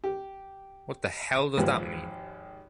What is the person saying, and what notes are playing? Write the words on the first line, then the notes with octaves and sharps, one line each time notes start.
What the hell does that mean?
G4
G#1 D#2 F3 G#3 G4 B4